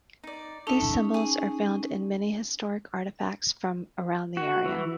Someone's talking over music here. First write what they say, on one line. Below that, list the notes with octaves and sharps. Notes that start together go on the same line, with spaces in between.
These symbols are found in many historic artifacts from around the area.
D#4 D5
C#4 D#4 A4 E5
G#4
F#4
E3